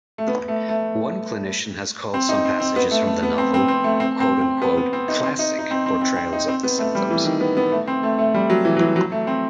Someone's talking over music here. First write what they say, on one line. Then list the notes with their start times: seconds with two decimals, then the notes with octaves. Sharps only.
One clinician has called some passages from the novel "classic" portrayals of the symptoms.
0.18 A3
0.27 B3
0.48 A3
0.69 A3
2.14 C4
2.29 D#4
2.45 C4
2.60 C4
2.76 B3
2.91 A3
3.07 A3
3.23 B3
3.38 C4
3.54 C4
3.68 C4
3.84 A3
4.00 C4
4.20 C4
4.41 C4
4.62 B3
4.77 B3
4.93 C4
5.08 D#4
5.24 C4
5.39 D#4
5.59 D#4
5.71 C4
5.86 C4
6.01 C4
6.16 C4
6.33 D#4
6.48 C4
6.63 B3
6.79 A3
6.95 G3
7.11 E3
7.25 D#3
7.40 B3
7.57 B3
7.72 A3
7.87 C4
8.03 A3
8.19 A3
8.34 G3
8.50 F#3
8.65 E3
8.77 F#3
8.81 E3
8.96 F#3
9.12 A3
9.27 C4